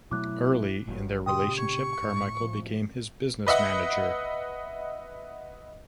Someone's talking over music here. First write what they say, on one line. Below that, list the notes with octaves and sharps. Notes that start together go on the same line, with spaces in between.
Early in their relationship, Carmichael became his business manager.
B2 F#3 A3 E4 D6 F#6
G1 G2 F#3
A#2 C#3 G4 G5 C6 D#6
C#6 G#6
A2
F3
B4 D#5 E5 F#5